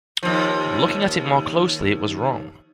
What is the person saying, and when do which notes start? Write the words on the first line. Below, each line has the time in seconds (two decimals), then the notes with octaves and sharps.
Looking at it more closely it was wrong!
0.23 D#2 F3